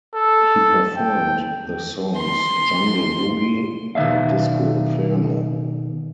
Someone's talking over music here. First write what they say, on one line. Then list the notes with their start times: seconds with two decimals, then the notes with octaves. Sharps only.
He performed the songs "Jungle Boogie" and "Disco Inferno".
0.15 A4
0.97 G5
2.17 C6
3.95 B2 D#3 C#4 E5 F5